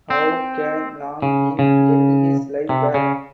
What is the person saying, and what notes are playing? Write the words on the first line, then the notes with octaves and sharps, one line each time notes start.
How can Long Ying get his life back?
C4
C#3
C#3
C3
C#3